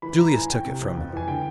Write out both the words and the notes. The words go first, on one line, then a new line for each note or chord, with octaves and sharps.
Julius took it from him.
E3 B5
E3 A#5
A2 G#5
A2 G5
C3
F2
F2
E3 G#5
D3 G5